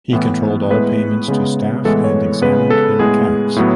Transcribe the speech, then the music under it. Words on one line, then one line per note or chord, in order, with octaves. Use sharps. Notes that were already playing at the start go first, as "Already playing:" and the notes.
He controlled all payments to staff and examined their accounts.
A2 E3 B3
A2 G#3 B3 B4
C#3 G#3 B3
A2 E3 G#3 B3 A4
C#5
C#3 G#3 B3 B4
A4
A2 G#3 B3 G#4
A2 F#3 B3